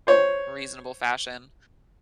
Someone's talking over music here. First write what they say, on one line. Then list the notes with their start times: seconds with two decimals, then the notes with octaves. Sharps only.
reasonable fashion,
0.07 C5 C#5